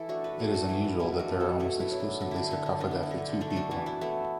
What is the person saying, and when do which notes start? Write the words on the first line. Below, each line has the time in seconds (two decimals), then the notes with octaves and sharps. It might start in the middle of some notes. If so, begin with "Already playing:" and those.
It is unusual that there are almost exclusively sarcophagi for two people.
Already playing: E3 E4 A4
0.09 A3 D4 F#4
0.24 F#4 B4
0.39 A3 E4 A4
0.54 D4 F#4
0.69 E3 B3 E4
0.84 B3
1.00 B2 B3 E4
1.19 D4 F#4
1.30 B2
1.40 E4 A4
1.60 A3 E4 A4
1.80 B3 E4
1.91 F#3
2.00 D4
2.21 D3 D4
2.31 D4 E4
2.51 D3 B3
2.66 D4
2.80 B3 D4
2.91 E4
3.03 D4
3.11 D3
3.41 A3 D4
3.50 A4
3.56 D4 F#4
3.71 E3 B3 E4
3.86 B3 E4
4.01 A3 B3 E4